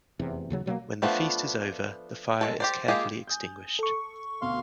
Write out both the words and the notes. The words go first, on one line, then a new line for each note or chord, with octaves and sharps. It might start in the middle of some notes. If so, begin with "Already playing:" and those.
When the feast is over, the fire is carefully extinguished.
F1 E2 C3
D#2 C#3 F#3
B2 F#3 A3 A#3
F3 A3 B3 D4 F4
G#3 A3 A4
G4 C5 D5
G#3 A#3 F4 G4 G#4
G#5 D#6 G6
A4 C#6
D2 B2 F5 C6